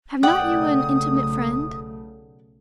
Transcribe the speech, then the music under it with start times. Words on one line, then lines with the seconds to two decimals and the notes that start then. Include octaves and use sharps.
"Have not you an intimate friend?"
0.23 B1 C#3 A3 D5 F#5 G5 D#6